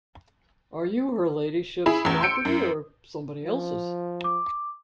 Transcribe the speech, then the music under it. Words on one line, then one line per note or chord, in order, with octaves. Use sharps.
Are you her ladyship's property, or somebody else's?
E4 G#4 B5
A1 E2
C6 E6 G6 C#7 D7
F#2
F3
D6